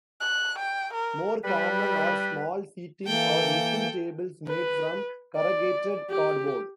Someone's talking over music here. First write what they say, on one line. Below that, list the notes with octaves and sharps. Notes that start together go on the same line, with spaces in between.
More common are small seatings or little tables made from corrugated cardboard.
F#6
G5
A#4
G3 B4
E3 A#3 A4 G5
B4
D5
G4